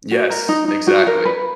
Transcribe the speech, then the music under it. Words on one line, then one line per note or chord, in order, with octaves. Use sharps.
Yes, exactly,
F#4
A#4
D#4
D#4
F#4
A#4
B4